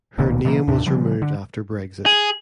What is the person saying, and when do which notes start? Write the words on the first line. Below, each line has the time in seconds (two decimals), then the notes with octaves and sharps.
Her name was removed after Brexit.
0.18 D1 C#2 A#2 D#3
0.45 B2 E3 G3 A#3
0.67 D#2 A2 C3 D4
0.86 C#3 F3 G3
1.22 D3
2.06 G#4